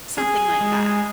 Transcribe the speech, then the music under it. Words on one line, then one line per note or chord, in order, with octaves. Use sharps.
Something like that.
G#4
G#3